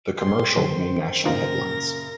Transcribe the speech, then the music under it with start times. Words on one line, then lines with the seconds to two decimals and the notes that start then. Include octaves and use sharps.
The commercial made national headlines.
0.19 A2 C4 G#4 C6
0.56 F#2 D3 D#3 F#3 C5
1.25 F#2 A#2 C#3 D4 D#4 F4 A#4 A#6